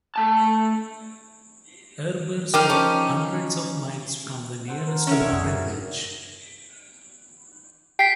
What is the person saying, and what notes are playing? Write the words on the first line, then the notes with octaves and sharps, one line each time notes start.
Erebor stood hundreds of miles from the nearest mountain range.
A3 A5
F3 D#4 G4 A#4 C5 F6
C#4 A5
A4 C5 F#5
A#4
C#4 E4 E5
C#2 D#3 D4 F#4
F#2 G#4
G5 B6 C7